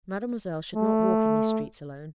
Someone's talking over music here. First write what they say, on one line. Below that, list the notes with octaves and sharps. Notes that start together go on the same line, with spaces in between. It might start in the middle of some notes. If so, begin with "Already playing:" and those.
Mademoiselle should not walk in these streets alone.
A3